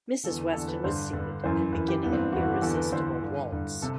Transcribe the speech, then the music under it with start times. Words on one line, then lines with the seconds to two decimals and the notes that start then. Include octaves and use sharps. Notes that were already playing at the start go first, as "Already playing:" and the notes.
Mrs. Weston was seated, and beginning an irresistible waltz.
0.24 E2 D3 A4
0.53 E2 D3 A4
0.68 B4
0.84 G2 D3 C5
1.13 G2 D3 B4
1.44 F#2 E3 C5
1.72 F#2 E3 B4
1.88 G4
2.03 G2 E3 B3
2.13 C4
2.23 D4
2.32 E3 F#4
2.36 G2
2.43 F#4
2.53 G4
2.62 E2 D3 A4
2.77 B4
2.92 E2 D3 C5
3.22 G2 D3
3.52 G2 D3
3.82 C3 A4